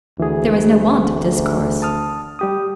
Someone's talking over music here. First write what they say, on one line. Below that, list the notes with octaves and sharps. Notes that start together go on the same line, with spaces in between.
There was no want of discourse.
D2 E3 G#4
A5 D#6 F6
G3 G4 D#6